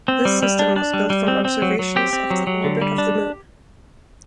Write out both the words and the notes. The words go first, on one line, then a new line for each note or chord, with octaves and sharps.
This system was built from observations of the orbit of The Moon.
C4
G3
G3
D4
D4
G3
G3
C4
C4
F#3
F#3
C4 G4
C4
F#3
F#3
D3
G3
D4